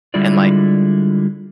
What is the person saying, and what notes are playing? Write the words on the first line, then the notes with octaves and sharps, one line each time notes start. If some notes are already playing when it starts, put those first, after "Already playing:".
and, like,
D3 G3 G#3 E4 F4 D5